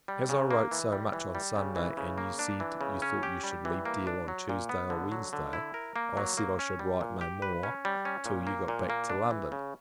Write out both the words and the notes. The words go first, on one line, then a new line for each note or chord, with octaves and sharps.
As I wrote so much on Sunday, and you said--you thought you should leave Deal on Tuesday or Wednesday, I said--I should write no more till you got back to London.
G3
C#3
A#3
E3
G3
E3
G3
C#3
E3
C#3
A#3
D4
E3
C#3
C#4
G4
G3
E3
A#3
D4
F#3
A#2
B3
D3
F#3
D3
E4
A#4
A#3
F#3
A#3
C#4
G3
A#2
G4
B4
C#4
G3
C#4
A#2
A#3
A#2
A#3
D4
E3
C#3